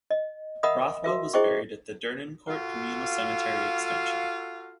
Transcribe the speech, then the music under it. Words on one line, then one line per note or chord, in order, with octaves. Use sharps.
Rothwell was buried at the Dernancourt Communal Cemetery Extension.
D#5
A#4 D#5 E5 F#5 B5 D#6
F#4 A#4 E5
E4 G#4 C5 D#5 G5 C#6
F4 F#4 A4 F5